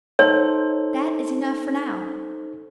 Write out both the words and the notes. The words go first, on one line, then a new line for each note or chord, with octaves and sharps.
That is enough for now!
D#4 A4 C5 C#5